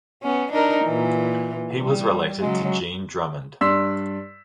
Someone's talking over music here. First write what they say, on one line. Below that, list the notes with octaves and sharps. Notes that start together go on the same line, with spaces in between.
He was related to Jean Drummond.
B3 C#4
D4 D#4 A#4
A#2 E3
G3
C#3 F#3 G#3
G2 D5 C6 E6 B6